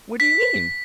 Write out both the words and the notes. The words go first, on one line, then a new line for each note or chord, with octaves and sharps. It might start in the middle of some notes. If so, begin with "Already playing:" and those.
"What do you mean?"
B6